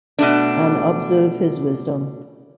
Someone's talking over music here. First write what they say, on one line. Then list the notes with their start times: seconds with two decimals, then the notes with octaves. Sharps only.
And observe his wisdom.
0.19 B2 A3 D4